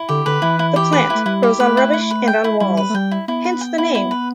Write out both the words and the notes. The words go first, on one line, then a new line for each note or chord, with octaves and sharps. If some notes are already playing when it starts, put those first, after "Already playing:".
The plant grows on rubbish and on walls, hence the name.
Already playing: E4
D3 G4
D3 B4
E3 E4
E4
G4
B4
E4
A3
G3 E4
G4
A3 B4
E4
E4
B4
G5
E4
G3 E4
B4
A3
G3 G5
E4
B3 E4
B4
G5
E4
E4
B4